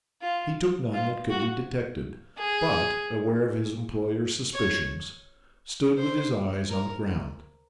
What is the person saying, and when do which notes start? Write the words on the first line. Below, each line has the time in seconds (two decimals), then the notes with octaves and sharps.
He took none that could be detected, but, aware of his employer's suspicions, stood with his eyes on the ground.
0.22 F4
0.94 F4
1.30 F#4
2.38 G#4
4.54 C#5
5.98 C5
6.71 A#4